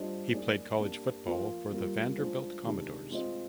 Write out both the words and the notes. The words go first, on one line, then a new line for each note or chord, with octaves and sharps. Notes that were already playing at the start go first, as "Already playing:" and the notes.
He played college football for the Vanderbilt Commodores.
Already playing: G3 D4 F4 C5 D#5
A#3 D#4 G#4 D5
A#3 D4 G4
F3 A#3 F4 A#4 F5
G3 A#3 F4 A#4
G#3 D4 F4 G#4 C5
C3 D#3 G#3 D4
G#3 C4 F4 C5 D#5